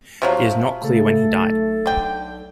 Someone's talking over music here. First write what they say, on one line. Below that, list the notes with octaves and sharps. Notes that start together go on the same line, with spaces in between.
It is not clear when he died.
D#1 C3 F3 F#3
C#3 A3 A4
B1
D3 G5